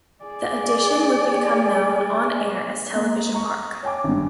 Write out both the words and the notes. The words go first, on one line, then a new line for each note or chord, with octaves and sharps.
The addition would become known on-air as Television Park.
G#4 D5
A#3
A#5 C#6
C#5 G5 G#5 D6
G#1 G2